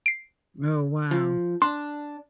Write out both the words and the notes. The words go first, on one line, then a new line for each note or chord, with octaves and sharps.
Oh, wow.
C7 D7
F3
D4 C6